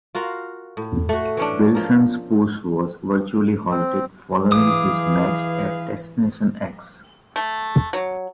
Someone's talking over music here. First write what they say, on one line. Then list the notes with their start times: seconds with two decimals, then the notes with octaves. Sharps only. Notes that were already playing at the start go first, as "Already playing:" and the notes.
Wilson's push was virtually halted following his match at Destination X.
0.15 F4 F#4 A#4 F5
0.77 A2
1.09 A3 F#4
1.37 E3 C#4 D4
1.75 F3 A#4
3.70 C4
4.52 E3 G#4 B4 F5 D6 D#6
7.36 A3
7.93 F#3